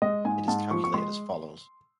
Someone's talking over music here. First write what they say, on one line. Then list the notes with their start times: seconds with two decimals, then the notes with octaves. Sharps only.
It is calculated as follows.
0.02 G#3 D#5
0.25 G#2 G#5
0.48 G#2 A5
0.71 F3 C#6
0.84 C#6
0.94 G#3 C6